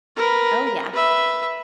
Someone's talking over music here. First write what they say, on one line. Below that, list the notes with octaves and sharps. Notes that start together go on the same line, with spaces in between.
Oh, yeah.
A#4 B4
B4 E5